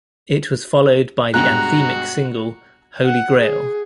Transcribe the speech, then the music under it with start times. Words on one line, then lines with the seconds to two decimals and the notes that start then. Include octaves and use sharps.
It was followed by the anthemic single, "Holy Grail".
1.34 G2 B2 G#3 F#4 A#5 F#6
3.06 F#5
3.40 G#4